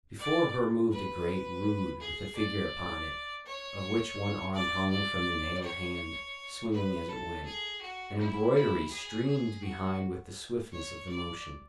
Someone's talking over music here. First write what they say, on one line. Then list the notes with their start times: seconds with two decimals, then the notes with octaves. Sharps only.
Before her moved a great rood, with a figure upon it, of which one arm hung from the nailed hand, swinging as it went; an embroidery streamed behind with the swiftness of the motion.
0.19 D5
0.91 B4
2.00 G#4
2.36 D5
3.46 C#5
4.54 D5
4.91 D5
5.63 C#5
6.73 B4
7.09 A4
7.45 G#4
7.81 F#4
8.18 E4
8.54 E4
8.91 G#4
9.28 G#4
9.63 F#4
10.72 C#5
11.09 D5